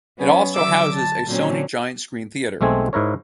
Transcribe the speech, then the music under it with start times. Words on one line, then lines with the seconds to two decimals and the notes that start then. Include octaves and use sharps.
It also houses a Sony Giant Screen theater.
0.18 F#3 B3 C#4
0.55 D3 F#3 E5 D6 E6
0.93 A5
1.27 A#2 D3 F#3 C4 C#4
2.61 B1 G#3 A3 C4 G#5
2.93 G#2 E4 A#4 C#5